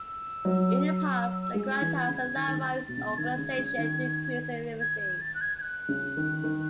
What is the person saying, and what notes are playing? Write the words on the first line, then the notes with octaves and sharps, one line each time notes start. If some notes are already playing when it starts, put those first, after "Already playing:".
In the past the grant has allowed various organization to increase efficiency.
Already playing: E6
F#3
G#3 E6
G#6
E3
G#6
C#3
G#6
D#3 A6
D#3
C#3
A6
B2 A6
C#3
D#3 G#6
C#3
C#3
D#3
G#6
G#6
A6
F#6
G#6
G#6
F#6
C#3
D#3
D#3